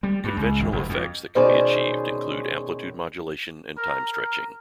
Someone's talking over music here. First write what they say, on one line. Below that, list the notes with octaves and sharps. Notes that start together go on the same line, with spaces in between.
Conventional effects that can be achieved include amplitude modulation and time stretching.
G3
G2
C#2
G#1
F#1
F2
B2 D#3 C#4 G#4 C5 D5
A#4
A#4